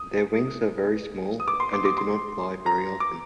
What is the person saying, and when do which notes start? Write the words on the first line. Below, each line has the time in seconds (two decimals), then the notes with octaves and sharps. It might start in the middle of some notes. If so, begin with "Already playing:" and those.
Their wings are very small and they do not fly very often.
Already playing: D#6
1.40 D#6
1.48 D6
1.60 C6
1.73 D6
1.85 D6
1.98 C6
2.66 A#5
3.00 D6